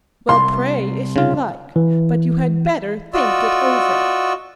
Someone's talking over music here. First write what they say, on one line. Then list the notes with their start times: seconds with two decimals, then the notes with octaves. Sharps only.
Well, pray if you like, but you had better think it over.
0.29 C2 C6
1.16 C#3 F4
1.76 E3
3.14 F4 F#4 D5 D#5 E6